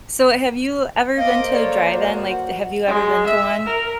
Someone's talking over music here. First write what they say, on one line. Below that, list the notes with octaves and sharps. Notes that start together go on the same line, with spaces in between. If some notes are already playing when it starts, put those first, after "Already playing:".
So have you ever been to a drive-in, like, have you ever been to one?
A#3 C5 D#5 F5 D6
A4 C#5 D5
F#4
F#5
G#3
E5
A#4